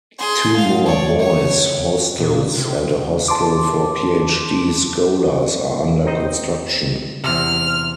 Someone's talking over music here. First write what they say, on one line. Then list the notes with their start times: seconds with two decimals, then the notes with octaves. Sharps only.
Two more boys' hostels and a hostel for PhD scholars are under construction.
0.19 G#4 C6
0.57 F5
0.86 C#5 D5
1.19 C#5
2.18 A#2
2.56 C3
3.28 A5 C6 D6
6.06 C4 D#4 D#5
7.24 E2 C3 F6